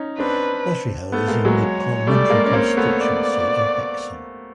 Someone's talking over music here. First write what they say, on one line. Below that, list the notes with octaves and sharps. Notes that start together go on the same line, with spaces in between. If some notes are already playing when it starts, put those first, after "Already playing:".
Butteryhaugh is in the parliamentary constituency of Hexham.
Already playing: C#4 D#4
C4 D4 B4
A3 B3
G#3 A#3
F#3 G#3
C#5
G3 A3 D5
G#3 A#3
C#4
A#3 C4 C#5
A3 B3
D5